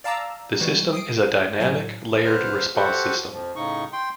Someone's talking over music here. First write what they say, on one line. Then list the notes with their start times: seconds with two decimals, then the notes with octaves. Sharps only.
The system is a dynamic layered response system.
0.04 D5 F5 A5 A#5 D6 E6
0.60 E3 G3 G#3 F#4 E7
0.93 D#6 C7 D7
1.59 A2 F#3 G#5
2.10 E3
2.24 D3 B4 C5 F6
2.75 F#4 G4 A4 C5 F#5
3.31 F2 F3
3.56 A2 C#3 D#4 C#6
3.93 G5 C6